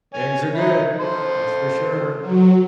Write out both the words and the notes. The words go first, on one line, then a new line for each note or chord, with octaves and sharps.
Eggs are good, that's for sure.
C#5 G#5
D#4 E4
A4 C5
F#3